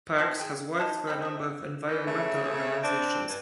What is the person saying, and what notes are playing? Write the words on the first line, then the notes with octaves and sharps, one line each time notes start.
Perks has worked for a number of environmental organizations.
C4 F#4 A5 C6
G#4 G5
D#4 A5 C6
C4 D#4 G5 B5
A3 C4
E3
C#3 A3
A3
C4 D4
G2